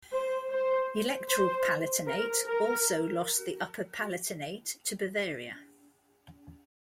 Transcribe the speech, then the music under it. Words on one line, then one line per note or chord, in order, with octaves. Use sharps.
Electoral Palatinate also lost the Upper Palatinate to Bavaria.
C5
C5
C5
A#4
A#4